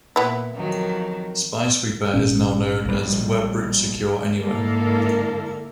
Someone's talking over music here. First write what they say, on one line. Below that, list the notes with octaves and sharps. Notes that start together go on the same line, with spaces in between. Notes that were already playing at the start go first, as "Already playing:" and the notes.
Spy Sweeper is now known as Webroot Secure Anywhere.
A#2 B3 E4
F2 D#3 F#3
A1 A#2 C#4
A#1 G3
G#2 D3 A#3 E4 A4 A#4